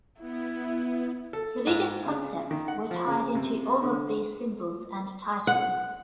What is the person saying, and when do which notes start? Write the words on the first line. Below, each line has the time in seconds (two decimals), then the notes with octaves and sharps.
Religious concepts were tied into all of these symbols and titles.
0.21 B3 E4
1.33 A4
1.67 G#2
2.06 C#3
2.51 D#3
2.68 F#5
2.91 F3
3.07 C#3
3.35 C3
3.82 D3
5.47 F#5